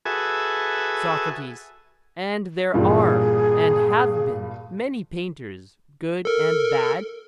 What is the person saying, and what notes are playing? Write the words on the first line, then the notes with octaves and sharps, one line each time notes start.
SOCRATES: And there are and have been many painters good and bad?
F#4 G#4 A4 B4 E5 G#5
G2 A#2 E3 G#4
A4 A#4